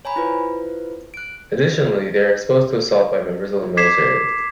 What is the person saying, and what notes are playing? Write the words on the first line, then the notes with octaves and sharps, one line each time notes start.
Additionally, they are exposed to assault by members of the military.
C#5 G#5 A#5 B5
E4 F4 B4 C5
F#6 D7
D6 G#6 B6 C7 E7